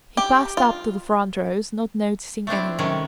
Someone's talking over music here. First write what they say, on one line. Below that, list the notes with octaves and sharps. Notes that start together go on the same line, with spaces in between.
He passed up to the front rows, not noticing anyone.
G4
F4
A3 C4 D4 E4
C3 D#3 G#3 C#4